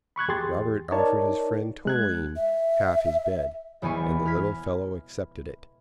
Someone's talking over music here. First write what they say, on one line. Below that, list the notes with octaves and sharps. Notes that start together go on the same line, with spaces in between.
Robert offered his friend Toline half his bed, and the little fellow accepted it.
B5 C#6 F#6 G#6
E2 G4 G#4 C6 A6
D#4 A#4 C#5 D5 A5
G#3 F#6 G#6
E5
E1 E2 E3 G#5 C#6
F6 G#6 B6